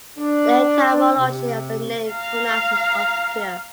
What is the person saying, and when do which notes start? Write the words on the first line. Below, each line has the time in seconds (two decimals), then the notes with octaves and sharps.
The etymology of the name Tunas is obscure.
0.17 D4
1.17 C3
2.09 F5 A#5